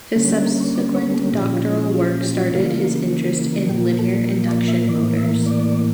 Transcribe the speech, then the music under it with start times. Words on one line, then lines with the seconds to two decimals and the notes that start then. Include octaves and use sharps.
His subsequent doctoral work started his interest in linear induction motors.
0.16 D3 G3 A#3 C#4
0.31 G4
0.45 A#4
0.60 C#5
0.75 D5
0.94 C#5
1.14 A4
1.33 A#2 F3 C#4 G4
1.46 G4
1.53 F4
1.73 E4
1.92 F4
2.08 F4
2.21 G4
2.37 F4
2.51 C#3 E3 A#3 F4
3.69 A#2 F3 A#3 G4
3.99 A4
4.28 G4
4.48 D5
4.68 E5
4.87 A2 E3 A#3 D5
5.17 E5
5.46 D5